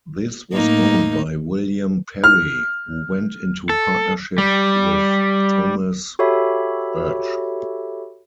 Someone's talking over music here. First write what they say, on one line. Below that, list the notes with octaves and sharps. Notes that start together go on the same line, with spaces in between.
This was owned by William Perry, who went into partnership with Thomas Urch.
A2 A#3 D#4
F6
A4
G3
F#4 G4 A4 C#5 E5 B5